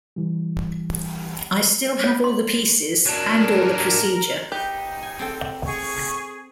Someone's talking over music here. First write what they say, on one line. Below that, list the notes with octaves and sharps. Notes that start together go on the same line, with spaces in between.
I still have all the pieces, and all the procedure...
E3 G3
C#5
C6
F#3 D4 A#4
D#4 G4 B4
G#5
C4 A4 G5
G#4 C#6